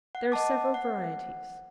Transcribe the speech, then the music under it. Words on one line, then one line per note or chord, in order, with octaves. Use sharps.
There are several varieties.
F#5
D#5 F#5 A5 D6
F#5